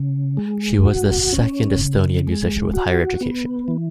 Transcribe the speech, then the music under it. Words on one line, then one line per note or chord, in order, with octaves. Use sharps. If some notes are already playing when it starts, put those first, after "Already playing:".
She was the second Estonian musician with higher education.
Already playing: C#3
G#3
F#4
C#4
C#3
G#3
F#4
B3
E3